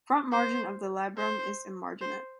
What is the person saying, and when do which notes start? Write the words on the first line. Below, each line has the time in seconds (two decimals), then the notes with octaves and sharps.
Front margin of the labrum is emarginate.
0.32 C5
1.17 C5
2.01 C5